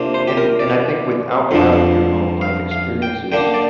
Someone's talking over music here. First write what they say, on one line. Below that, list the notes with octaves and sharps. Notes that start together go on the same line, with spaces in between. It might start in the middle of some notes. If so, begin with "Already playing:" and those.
And and I think without having your own life experiences,
Already playing: C3 A#3 D4 F4
C5
G4
A#4
D5
F2 D3 F3 D4
F5
F5
G5
D3 A#3 D4 G5
D5